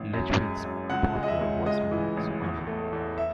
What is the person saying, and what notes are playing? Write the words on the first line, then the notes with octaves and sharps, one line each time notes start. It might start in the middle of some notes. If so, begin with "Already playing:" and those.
Ledwidge's partner was Max O'Connell.
Already playing: A1
F#2
G#3
F#2
C#2 F#5
G#3
D#5
E5
C#2
G#3 D#5
E3
A1
E2
A3
E2
E5